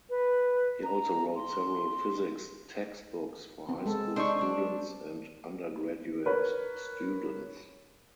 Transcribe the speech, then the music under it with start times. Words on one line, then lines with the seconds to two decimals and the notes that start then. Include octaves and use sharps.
He also wrote several physics textbooks for high school students and undergraduate students.
0.10 B4
0.84 A#5
1.36 C6
3.69 B3 C4
3.86 G#3 A4
4.16 D4 D#4 C5 C#6
4.41 D4
6.25 A#4 B4 C#5